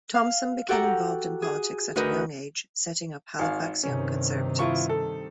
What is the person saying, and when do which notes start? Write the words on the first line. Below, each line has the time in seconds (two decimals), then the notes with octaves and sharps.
Thompson became involved in politics at a young age, setting up Halifax Young Conservatives.
0.14 F5
0.68 F#4 G4 A4 F#5 G5 A#5
1.42 G#4
1.96 D2 F#4 A#4 B4 D#5 G6
3.39 G#1 F5
3.83 G2 C3 D#3 C#4
4.59 E4 F4 C#6
4.89 A4